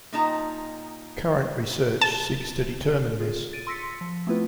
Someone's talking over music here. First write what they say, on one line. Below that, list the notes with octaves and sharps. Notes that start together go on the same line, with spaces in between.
Current research seeks to determine this.
A#2 G3 D#4 D#5 A5 A#5
A5
F4 G#4
A6 D7 D#7
C6 E6 A#6 B6 C#7
F3
A3 B3 C4 E4 F4 B4